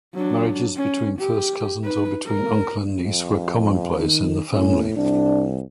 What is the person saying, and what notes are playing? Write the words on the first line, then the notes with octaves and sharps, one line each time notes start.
Marriages between first cousins, or between uncle and niece, were commonplace in the family.
F#3 D4
C#4
G4
D#4 B4
A#4
F2
D#3
A2 C#4
C2 D4